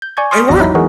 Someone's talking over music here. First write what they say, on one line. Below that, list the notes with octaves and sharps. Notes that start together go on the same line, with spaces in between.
They were.
G6
D5 G#5 C#6 G6 G#6
C6 C#6 D#6 F6
G#1 E2 F#4 D5 A#6
F#3 D#4 E4
E3 G#3 B3 F#4 G#4 A#4